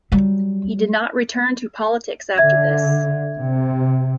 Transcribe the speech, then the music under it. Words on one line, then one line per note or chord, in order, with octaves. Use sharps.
He did not return to politics after this.
F#3 G3
D3 E5 G#6
C3